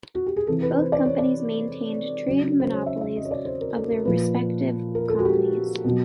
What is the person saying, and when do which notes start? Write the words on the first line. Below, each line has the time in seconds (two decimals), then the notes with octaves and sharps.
Both companies maintained trade monopolies of their respective colonies.
0.15 F#4
0.26 G4
0.36 G#4
0.47 C3 E3 A4
0.62 B4
0.77 C5
0.92 D5
1.05 C#5
1.18 D5
2.27 C#3 F#3
2.60 C5
2.71 C#5
2.86 E5
3.01 E5
3.16 D#5
3.25 C#5
3.31 D5
3.45 C5
3.61 A#4
3.76 A4
3.91 A#4
4.05 A#2 F3 B4
4.95 A#4
5.09 A4
5.19 F#4
5.25 G4
5.85 B2 F#3